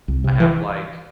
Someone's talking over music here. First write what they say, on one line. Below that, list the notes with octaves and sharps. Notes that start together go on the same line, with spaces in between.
I have like,
C2
C3
E3